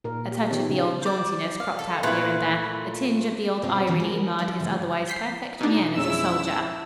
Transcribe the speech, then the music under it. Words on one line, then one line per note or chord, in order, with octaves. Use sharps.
A touch of the old jauntiness cropped out here and there, a tinge of the old irony marred his otherwise perfect mien as a soldier.
A#2 A#4
G4
D#3 B3 C4 G4 C#5
C#3
C5 D5
F5
A4
A#2 A3 E4 B4
B2 C4 C#4 F4 G4 G#4
D3 E3 F#3 B3 C#4 D4
G#3 G#4 A#4
A#4
F3 E4 B4 D5
G2 C#3 F3 G#3 A3
G6 B6 C7
B2 D4 D#4
F2 G#3 C#4 E4 E6